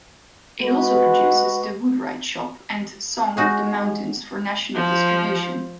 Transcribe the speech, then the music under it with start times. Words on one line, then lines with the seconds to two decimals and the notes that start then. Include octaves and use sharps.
It also produces "The Woodwright's Shop" and "Song of the Mountains" for national distribution.
0.62 G#3 F#4 B4
3.37 G#3 D#4 F#4 G#4
4.75 F3